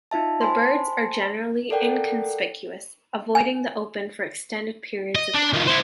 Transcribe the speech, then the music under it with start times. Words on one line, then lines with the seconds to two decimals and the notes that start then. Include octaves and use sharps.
The birds are generally inconspicuous, avoiding the open for extended periods of time.
0.11 D#4 F4 E5 A5
0.41 C5 G#5 A5 B5 C6
1.70 A4 A#4 D5 F#5 G5
3.35 G#5
5.15 D#5
5.34 D4
5.53 D#3 F3
5.67 E4 C5